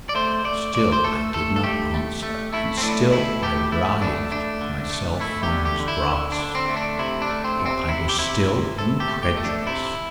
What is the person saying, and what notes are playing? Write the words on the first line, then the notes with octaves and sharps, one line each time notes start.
Still I did not answer, and still I writhed myself from his grasp: for I was still incredulous.
D5
A3 C5
A3 D5
A3 D5
C5
A3 A4
A3 A4
A4
A3 G4
A3
A3
A3 E4
C4
A2 D4
A2 E4
A3 G4
A3 E4
A3 D4
A3 D4
D3
A3
A3 E4
G4
D3
G4
D3
E4
D3
D4
D3
C4
A3
D4
C3 E4
D4
A3
C4
C3
C4
C3 E4
G4
C3 E4
C3
C3 A4
G4
A3
G4
A3
D4
C3 E4